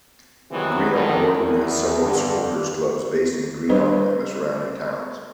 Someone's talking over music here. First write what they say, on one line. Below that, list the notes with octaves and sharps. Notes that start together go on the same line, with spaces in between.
Greenock Morton has several supporters' clubs based in Greenock and the surrounding towns.
C3 D#3 E3 F#3 G#3 B3
A1 F2 G#2 D3 D#3
E2
G2 D3
G3 D4 B4 C5 D#5